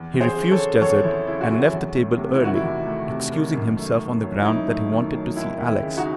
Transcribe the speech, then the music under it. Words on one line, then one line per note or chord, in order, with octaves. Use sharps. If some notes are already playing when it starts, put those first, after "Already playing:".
He refused dessert, and left the table early, excusing himself on the ground that he wanted to see Alex.
Already playing: E2
E2
G#4 C5
C#3
A4 C#5
F#3
E2 A4 C#5
E2 E4
C#3 E4
F#4
F#3 E4
E2
A3
C3
E4
D#3 F#4
E4
E2
A3
C3
D#3
F#2
A3
D#3
F#3
E4
F#2 D#4
A3
D#3
F#3
D#2 E4
D#2
E4
C#3
D#4 F#4